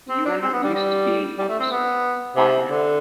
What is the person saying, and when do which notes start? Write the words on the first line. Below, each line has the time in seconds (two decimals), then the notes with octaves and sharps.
You are not used to being officered; I am.
0.09 C4
0.26 D4
0.42 C4
0.53 B3
0.64 G3
0.74 G3
1.39 G3
1.49 A3
1.60 C4
1.71 B3
2.36 C3
2.68 D3